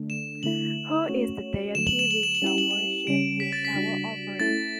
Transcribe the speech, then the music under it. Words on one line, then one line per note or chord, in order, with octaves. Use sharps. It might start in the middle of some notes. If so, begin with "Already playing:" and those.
Who is the deity we shall worship with our offerings?
Already playing: D3 A3 D4
E7
D3 A3 E4 F#7
A3 C#4 F#4 C#5
D3 F#3 A3 E7
F#7
E7
F#7
E7
F#7
G3 C#4 E4 G4 E7
F#7
E7
C#3 G3 C#4 D7
B6
A6
B6
C#3 G3 D4 F#4
A3 C#4 E4 A4 A6